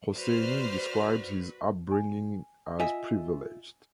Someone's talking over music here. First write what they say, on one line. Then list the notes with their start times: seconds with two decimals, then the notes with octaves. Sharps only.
Hosseini describes his upbringing as privileged.
0.14 F#4 B4 C5 D5 F6
1.91 G#5
2.80 F4 D#5 E5 G#5